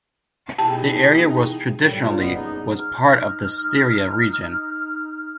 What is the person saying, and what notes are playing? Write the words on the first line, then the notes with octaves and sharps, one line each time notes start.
The area was traditionally was part of the Styria region.
B2 E3 D#4 G4 G#4 A5
G1 A2 G3 D5
A#2 C#3 F4
E1 B3 D#5
F#2 D4 D#4 G#4
D#4 F6